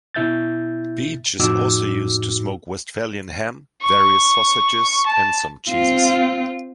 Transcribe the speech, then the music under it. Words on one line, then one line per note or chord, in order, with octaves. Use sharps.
Beech is also used to smoke Westphalian ham, various sausages, and some cheeses.
B2 E4 E5 G6 A6
F2 A2 D#4 F#4 D6 E6
C#6
A5
C4 F4